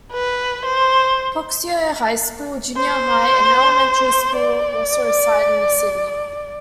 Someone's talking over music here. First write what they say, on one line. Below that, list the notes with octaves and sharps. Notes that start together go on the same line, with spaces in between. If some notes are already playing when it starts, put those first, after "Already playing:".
Puxico High School, Junior High and Elementary school also reside in the city.
B4
C5
C5
D5